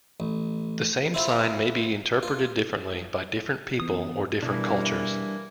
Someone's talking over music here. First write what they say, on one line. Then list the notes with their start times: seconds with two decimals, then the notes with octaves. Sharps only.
The same sign may be interpreted differently by different people or different cultures.
0.20 A1
1.14 C4 E4 F4
2.23 F4
3.80 E3 B3 D#6
4.43 B2 E3 G3 A#3 D4 E4